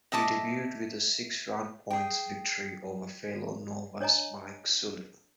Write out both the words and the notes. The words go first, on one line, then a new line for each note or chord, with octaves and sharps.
He debuted with a six-round points victory over fellow novice Mike Sullivan.
D#5 E5 A5 D6
G#4 G5
D4 C#5 D#5 G#5 A#5